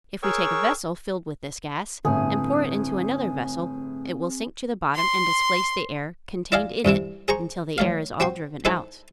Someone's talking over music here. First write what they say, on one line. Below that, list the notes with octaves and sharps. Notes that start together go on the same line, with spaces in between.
If we take a vessel filled with this gas and pour it into another vessel it will sink to the bottom and displace the air contained in it until the air is all driven out.
G#4 A#4 C#5 G5 C#6 E6
G1 A2 C4 G#4
C6
E4 D5 D#5 F5 G#5
G2 C3 E3 E4
G#4 C5 A#5 C#6
F#3 A3 F5
C4 F#4 G5 C6
D#4 E4 A4 B4 C5 G#5